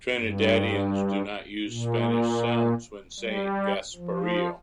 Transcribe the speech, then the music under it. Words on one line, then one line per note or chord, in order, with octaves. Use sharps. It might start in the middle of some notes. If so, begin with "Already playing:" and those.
Trinidadians do not use Spanish sounds when saying Gasparillo.
G2
A#2
G3
F3